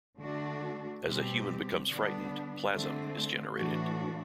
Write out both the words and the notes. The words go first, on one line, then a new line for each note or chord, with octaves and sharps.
As a human becomes frightened, Plasm is generated.
D3 A3 D4 F#4
B2 G3 C4 G4
D3 G3 B3 D4
D3 A3 C4
A2 E3 A3 D4 F#4